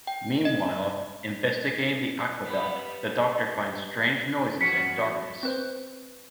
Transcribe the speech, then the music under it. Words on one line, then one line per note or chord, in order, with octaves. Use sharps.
Meanwhile, investigating the aqueduct, the Doctor finds strange noises and darkness.
G5
D#5
G3 B3 B4
E2 C#4 F#4 B6 C#7
C4 B4 C5